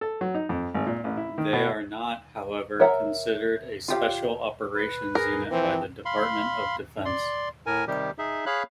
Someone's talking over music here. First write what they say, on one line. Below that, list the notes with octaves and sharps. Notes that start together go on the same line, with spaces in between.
They are not, however, considered a special operations unit by the Department of Defense.
A4
F#3
D#4
F2
G#1
A#2
A1
E4
D#3
B2
A#4 C#5 E5 F#5 A#5
F4 G4 F5
B4
G#4 A#4
E3 F3 C4 C5
F5 B5 C6
D5 C6
A2 A#4 G#5
C3 D#3 G3 G4
D#4 G#4 E5
G#4 C#5 F5 B5 F#6